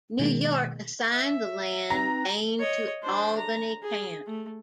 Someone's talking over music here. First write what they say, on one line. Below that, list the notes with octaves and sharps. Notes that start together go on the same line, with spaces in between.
New York assigned the land gained to Albany County.
B2 D#3 G#3 A#3
E5
C4 D#4 B4 A#5 A#6
C#5 D#5
D4 C5
A#5
G#4
A3